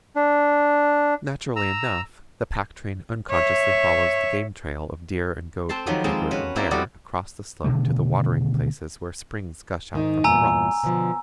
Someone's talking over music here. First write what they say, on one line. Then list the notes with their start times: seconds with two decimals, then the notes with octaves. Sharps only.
Naturally enough, the pack-train unconsciously follows the game-trail of deer and goat and cougar and bear across the slope to the watering-places where springs gush out from the rocks.
0.16 D4
1.56 A#5 E6
3.31 C#5 E5
5.69 C4 C5 A5 C6
5.86 D#3 F3 F#3 G4 B4
6.04 G#3 A#3 C4 C5 A5
6.31 C#4 F#4 B4
6.56 A#3 C4 E4 D5
6.71 G3 B3 C4 F#4 A4 D5
7.64 B2 D3 D#3 A3
9.93 G#2 D#3 D#4
10.24 E2 G2 A#2 G#5 A#5 E6
10.83 B2 D3 F3